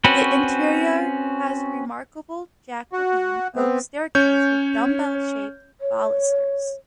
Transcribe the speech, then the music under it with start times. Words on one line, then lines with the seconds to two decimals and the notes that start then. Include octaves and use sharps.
The interior has a remarkable Jacobean oak staircase with dumbbell-shaped balusters.
0.04 C4 C#4 F#4 B4
2.93 F#4
3.56 B3 C4
4.15 C#4 C#5 G6
5.81 C#5